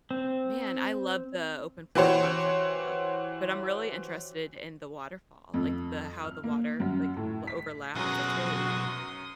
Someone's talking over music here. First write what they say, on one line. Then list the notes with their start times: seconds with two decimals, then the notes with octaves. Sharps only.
Man, I love the open floor concept, though. But I'm really interested in the waterfall, like, the how the water, like, overlaps, that's really neat.
0.11 C4
1.95 E3 F#4 G4 C5 C#5
5.54 F2
6.25 F6
6.44 A#3
6.80 F#2
7.17 A2
7.47 B6
7.95 B1 F#2 F#3 F#4 G#4 C6 D#6